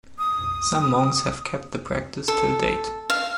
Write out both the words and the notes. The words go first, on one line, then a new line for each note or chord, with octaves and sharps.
Some monks have kept the practice till date.
D#6
A4
F5